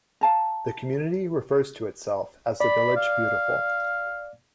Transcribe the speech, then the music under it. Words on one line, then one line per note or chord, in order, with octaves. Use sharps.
The community refers to itself as The Village Beautiful.
F5 A5 A#5
D5 B5
F5